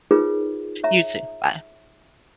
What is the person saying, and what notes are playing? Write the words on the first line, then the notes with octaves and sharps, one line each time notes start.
You too. Bye.
D#4 F4 G#4 A#4 B4 C#5
C#5 E5 A#5